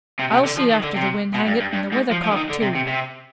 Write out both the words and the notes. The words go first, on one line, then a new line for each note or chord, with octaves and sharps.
I'll see after the wind, hang it, and the weather-cock, too.
C3
C3
D3
F3
D#3
D3
C3
B2
G2
G2
G2
G#2
F3
F3
D3
D#3
D3
C3
C3
C3